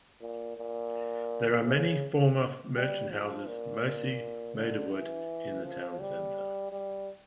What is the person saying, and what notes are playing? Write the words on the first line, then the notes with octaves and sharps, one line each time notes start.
There are many former merchant houses, mostly made of wood, in the town center.
A#2
A#2
C#3
G3
F3
A#2
D3
E3
F3
G3
G3